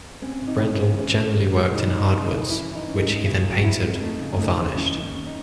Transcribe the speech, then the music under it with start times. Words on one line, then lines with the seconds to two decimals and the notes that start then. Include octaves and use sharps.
Brendel generally worked in hard woods which he then painted or varnished.
0.22 C4 C#4
0.41 C3
0.47 D#4
0.61 C3
0.73 C#4 E4
0.79 C3
0.98 D#2 C#4
1.17 C#3
1.37 D#2
1.54 G#3
1.73 E3 D#4
1.93 C#3
1.98 D#4
2.12 C#3
2.25 D#4
2.30 E3
2.49 E3 C#4 E4
2.68 E3
2.75 D#4
2.88 C#4
3.00 D#4
3.06 G#2
3.25 C#3 C#4 E4
3.44 F#3
3.52 F#4
3.63 F#3 E4
3.76 D#4
3.83 C4
4.01 A3 D#4
4.20 C#3
4.38 A3 D#4
4.57 C#3
4.76 D#2 C#4 E4
4.96 D#2
5.02 C#4
5.15 C#4
5.26 D#4